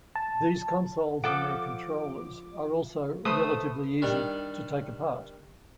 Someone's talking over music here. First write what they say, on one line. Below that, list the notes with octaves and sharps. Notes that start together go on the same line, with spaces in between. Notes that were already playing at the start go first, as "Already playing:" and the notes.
These consoles and their controllers are also relatively easy to take apart.
A5
F3 A4 F#5 D6
A3 B4 C5 E5 D#6
D#3 G3 D4